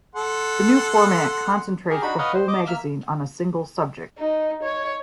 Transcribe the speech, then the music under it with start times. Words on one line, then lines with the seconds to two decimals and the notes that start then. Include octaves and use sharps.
The new format concentrates the whole magazine on a single subject.
0.15 A4 F#5 C6
1.90 G4 G#4 A#4
2.02 D4 D#4 F#4 B5
2.19 B4 C#5 D#5 F5 F#5
2.34 C5
2.48 D#5 D6
2.68 A#3 E5 F6
4.18 D#4
4.63 C#5